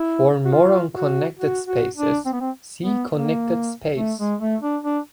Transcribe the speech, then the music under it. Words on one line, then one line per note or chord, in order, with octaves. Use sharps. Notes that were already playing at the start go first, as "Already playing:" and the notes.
For more on connected spaces, see Connected space.
Already playing: E4
F#4
F4
F#4
F#4
F#4
D4
C4
B3
C4
B3
A#3
A3
G#3
A3
D4
D4